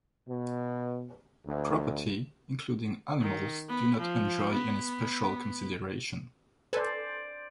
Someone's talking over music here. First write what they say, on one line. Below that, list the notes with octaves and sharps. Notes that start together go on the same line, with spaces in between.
Property, including animals, do not enjoy any special consideration.
B2
D2
D#3
B3
F3
B3
A4 B4 C5 D5 G#5